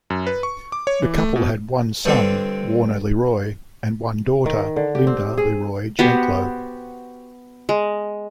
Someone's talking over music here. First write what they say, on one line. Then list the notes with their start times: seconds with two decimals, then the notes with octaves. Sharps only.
The couple had one son, Warner LeRoy and one daughter, Linda LeRoy Janklow.
0.10 F#2
0.27 B4
0.43 C#6
0.72 D6
0.87 C#5
1.02 E3
1.18 A3
1.36 B2
2.05 G2 D3 C4
4.46 D#3
4.76 D3
4.95 G4
5.07 C4
5.37 G#4
5.99 B3 F#4 G4 C5
7.69 G#3